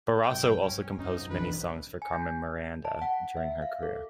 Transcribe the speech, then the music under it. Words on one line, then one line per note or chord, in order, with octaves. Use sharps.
Barroso also composed many songs for Carmen Miranda during her career.
B1 G2 G5
C#4
F#2 C3 F3 C#4 D#4
B1 F2 G#2 E3 D4 B4
G#5
G6
A5
F#5
E5
F5
A4